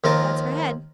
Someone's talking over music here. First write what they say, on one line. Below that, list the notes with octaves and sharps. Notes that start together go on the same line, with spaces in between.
That's her head.'
D#2 F3 A#4 A5